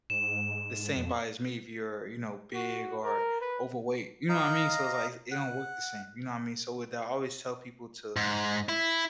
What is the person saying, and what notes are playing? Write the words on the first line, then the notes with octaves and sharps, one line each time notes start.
the same body as me if you're, you know, big or overweight, you know what I mean? So it's like, it don't work the same, you know what I mean? So with that, I always tell people to,
G#2 E7
F2
F#4
A#4
B4
D#5 F5 A#5
F#5
G#2
E4